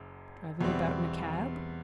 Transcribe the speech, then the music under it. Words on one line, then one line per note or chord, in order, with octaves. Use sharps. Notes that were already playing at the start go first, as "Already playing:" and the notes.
Driving about in a cab?
Already playing: F#1 F#2
E2 B2 G3 C4